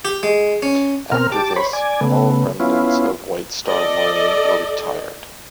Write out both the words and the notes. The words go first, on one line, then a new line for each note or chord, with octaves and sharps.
After this, all remnants of White Star Line were retired.
G4
G#3
C#4
B2 C4 A#4 F6
G4 A5 D6
C5 C#5 B5
D5 G#5
C#3 A3 B3
B3 C#4 E4 F4
A4 D5 D#5